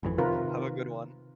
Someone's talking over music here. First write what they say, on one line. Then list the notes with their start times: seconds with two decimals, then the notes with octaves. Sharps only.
Have a good one.
0.03 G#1 F2 E3
0.18 C3 D#3 F4 A#4 B4